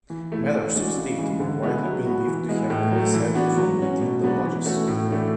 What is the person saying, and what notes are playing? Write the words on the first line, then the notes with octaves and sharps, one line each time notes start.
Matters of state were widely believed to have been decided from within the lodges.
E3
A3 E4
E3
G#3 D4 F#4
C#3
E3 G#3
D3
G#3 B3 E4
F#3
B3 F#4
E3
G#3 B3 E4
A2
F#3 A3
E3
B3 D4 F#4
F#3
C#4 F#4
B2
F#3 B3 D4 F#4
E3
A3 C#4 F#4
A2
E3 A3 D4 F#4